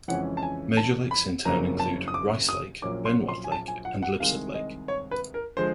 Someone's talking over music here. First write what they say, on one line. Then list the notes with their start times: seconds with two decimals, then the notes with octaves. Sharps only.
Major lakes in town include Rice Lake, Benoit Lake, and Lipsett Lake.
0.08 F2 C#3 E3 G#3 C#4 F#5
0.37 A5
0.43 G#5
0.77 A5
1.11 B5
1.45 F#1 F2 C#3 F#3 A#3 A#5
1.80 A5
2.08 D#6
2.14 D6
2.49 D#6
2.82 A#1 A#2 F#3 A#3 C#4 D6
3.05 C6
3.28 C6
3.44 G#5
3.52 A5
3.68 G#5
3.85 F#5
4.02 F#5
4.20 C2 C3 D#3 G#3 F5
4.54 D#5
4.88 C#5
5.11 B4
5.34 A#4
5.57 D3 F3 G#3 C5